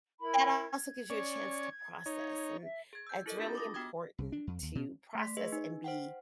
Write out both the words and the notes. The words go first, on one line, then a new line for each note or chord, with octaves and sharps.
that also gives you a chance to process, and it's really important to process and be,
E4 A#4 B5
G#6
C#4 D5 C#6
D#4 C#5
E5
G#4 G#6
E6 G6
E4 A4 A#4 D#5
D4 F4 G4 B5 A6
D6 D#6 A#6
B3 F#4 G5 D6 D#6 G#6
C2
D4
F2
D#2
B2
A3 C6 B6
G#4 B4 D#5
D#4
C5 F#5 G5